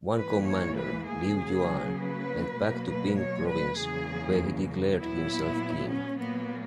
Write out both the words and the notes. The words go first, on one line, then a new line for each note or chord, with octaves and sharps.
One commander, Liu Yuan, went back to Bing Province where he declared himself King.
G#2 E3 A#3 B4
C#5
B4
G#4
C#3 F#3 A#3
B4
B2 F#3 A#3
B4
C#5
B4
E2 C#3 F#3 A#3 G#4
A#2 F#3 B3 E4
C#4
A#2 F#3 A#3 B3